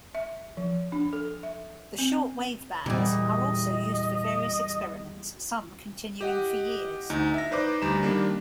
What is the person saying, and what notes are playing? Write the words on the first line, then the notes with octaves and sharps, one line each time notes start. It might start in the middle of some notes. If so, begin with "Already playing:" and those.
The short wave bands are also used for various experiments, some continuing for years.
E5
F3
D4
A4
E5
C4
E2 A#2 G3 D#5
G4 D#5 F#5
D2 D#4
E5 A#6
D#4 B4 C5 D5 D6
D2 G3 A#5 E7
D#3 G3 A#3 D4